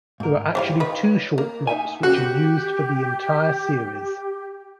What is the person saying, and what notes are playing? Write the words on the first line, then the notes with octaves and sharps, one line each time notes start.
There are actually two short blocks which are used for the entire series.
G#2 A#4
E3 G3 F4 C5 C#5 F5
D#3 B4
A#3
D#4 E5 G#5
F#4 G4